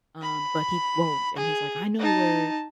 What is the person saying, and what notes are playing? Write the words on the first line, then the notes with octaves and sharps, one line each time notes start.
um, but he won't and he's, like, "I know where
B5
G#4
D#4 A5